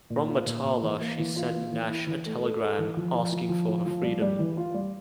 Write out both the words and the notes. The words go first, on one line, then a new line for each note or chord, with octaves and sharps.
From Matala, she sent Nash a telegram asking for her freedom.
A#2
F4
A#2
A#2
E3
A#3
E3
F4
A#3
E3
E4
E3
A3
A4
A4
E3
F3
F3
F3
F3
F3
F3
G3
G3
E3
F4
G3